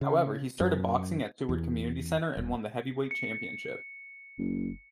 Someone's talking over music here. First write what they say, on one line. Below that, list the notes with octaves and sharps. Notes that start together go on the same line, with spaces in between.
However, he started boxing at Seward Community Center and won the heavyweight championship.
C#3
F#2
E2
D#1
C#7
F#1